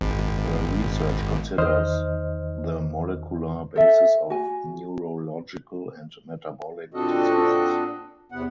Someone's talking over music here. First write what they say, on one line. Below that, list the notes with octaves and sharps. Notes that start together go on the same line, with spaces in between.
Her research considers the molecular basis of neurological and metabolic diseases.
G#1
E2 D#3 D#4 C5 D#5 F6
A4 E5
F#4 G#5
A#2 C4 D4 F#4 A4 D#5
E2 C3 B3 F#5